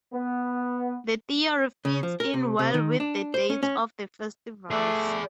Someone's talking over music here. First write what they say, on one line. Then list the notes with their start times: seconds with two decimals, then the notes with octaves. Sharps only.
The theory fits in well with the dates of the festivals.
0.13 B3
1.85 C#3
2.03 F3
2.20 A#4
2.34 C3
2.59 C3
2.74 D#3
3.00 D4
3.34 C5
3.50 C#4
3.63 C#4
4.71 A3 G#4 D5